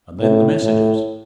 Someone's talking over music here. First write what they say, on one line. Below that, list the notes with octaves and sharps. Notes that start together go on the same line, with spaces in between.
And then the messages!
A2
A2